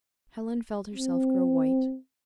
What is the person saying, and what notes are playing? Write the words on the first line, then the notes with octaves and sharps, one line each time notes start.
Helen felt herself grow white.
C4